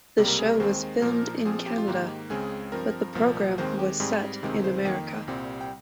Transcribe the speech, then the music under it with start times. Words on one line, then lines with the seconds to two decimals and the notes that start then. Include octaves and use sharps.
The show was filmed in Canada, but the program was set in America.
0.18 C#2 C3 G3 A#3
0.28 A#4
0.39 G#4
0.49 A#4
0.60 D#2 D#3 G#3 C4 C5
1.02 A#2 F3 A#3 A#4
1.45 A#2 F3 C4 G#4
1.66 G4
1.78 F4
1.88 G#2 D#3 A#3 G4
2.30 C#2 C#3 G#3 C4 G#4
2.72 G2 F3 C4 A#4
3.15 C2 A#2 F3 A#3
3.58 D#2 D#3 G#3 C4 C5
3.79 G4
4.00 G#2 G3 C4 G#4
4.43 C#2 C3 D#3 G#3 C4
4.64 C5
4.85 F2 D#3 A#3 G5
5.28 C2 A#2 G3 C4
5.61 G5